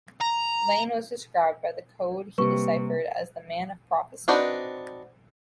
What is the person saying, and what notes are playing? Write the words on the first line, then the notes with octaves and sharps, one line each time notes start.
Lane was described by the code he deciphered as "the Man of prophecy".
A#5
C3 G3 A#3 G4 B4 C#6
C4 D4 D#4 F#4 B4